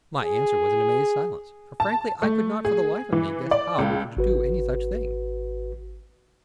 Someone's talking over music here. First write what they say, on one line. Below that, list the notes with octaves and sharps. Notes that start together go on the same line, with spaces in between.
My answer was an amazed silence, for frankly I could not for the life of me guess how we were to do any such thing.
G#4
A5
A3
G#4
E3
D5
C#2
G#1 F#4 B4